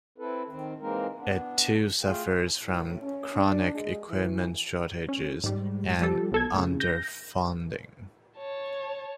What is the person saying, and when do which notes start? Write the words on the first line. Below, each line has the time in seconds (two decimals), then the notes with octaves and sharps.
It too suffers from chronic equipment shortages and underfunding.
0.18 C4 E4 A4 B4
0.48 D#3 C4
0.80 E3 G#3 A#3 C4 D#4 A#4
1.18 B3 D4
2.03 A3 F4 G#4 F5 G5
2.63 A2
3.02 C#4
3.36 D4
3.75 G#3
4.09 E3
5.09 C#4
5.44 G#2 G3
6.00 F3 G3 G4 A4
6.32 B1 A4 G#6
6.54 A2 C#3
6.80 G6 A#6
8.38 C#5 A5